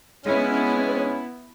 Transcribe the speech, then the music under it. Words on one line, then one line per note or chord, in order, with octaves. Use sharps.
"Do you believe he will?"
G#3 B3 C#4 E4